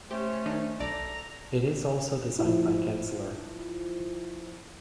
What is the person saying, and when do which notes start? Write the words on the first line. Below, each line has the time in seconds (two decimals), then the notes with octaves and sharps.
It is also designed by Gensler.
0.11 A3 C#4 G4 C5
0.46 D#3 D4 D#4 C5
0.80 B1 A4 D5 A#5
2.39 F3 E4